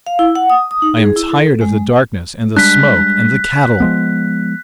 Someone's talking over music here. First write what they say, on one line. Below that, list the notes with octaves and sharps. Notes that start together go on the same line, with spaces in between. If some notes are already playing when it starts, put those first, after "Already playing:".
I am tired of the darkness and the smoke and the cattle.
F5
E4
F#5
D#6
D#6
D#4
G#4
E4
A4
G#3
G3 G#3 D4 F#6 B6
F3 G#3 B3